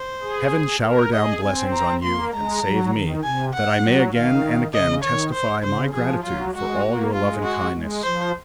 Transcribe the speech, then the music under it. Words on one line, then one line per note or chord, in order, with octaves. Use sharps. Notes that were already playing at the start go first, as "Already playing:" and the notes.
Heaven shower down blessings on you, and save me, that I may again and again testify my gratitude for all your love and kindness.
Already playing: C5
G#4
A#4
G#4 D#5
C4 G#5
A#5
A#3 C6
G#3 A#5
F#3
D#3
C3 G#5
F#5
F#3
D#3 F5
C#3 D#5
D#3 C#5
C5
C#3 C5
F3 G#4
F#3 F4
G#3 F#4
A#3
G#3 F4
F#4
G#3
F3 C5